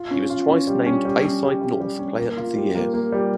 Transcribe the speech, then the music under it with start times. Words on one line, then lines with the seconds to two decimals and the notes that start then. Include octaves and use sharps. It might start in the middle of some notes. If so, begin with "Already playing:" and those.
He was twice named Bayside North Player of the Year.
Already playing: F4
0.11 C#4
0.30 F4
0.49 C#4
0.67 G3
0.86 C#4
1.05 G3
1.24 C#4
1.43 G3
1.62 G3
1.81 G3
1.99 C#4
2.18 A#3
2.37 F4
2.56 G3
2.75 A#3
2.94 A#3
3.12 G3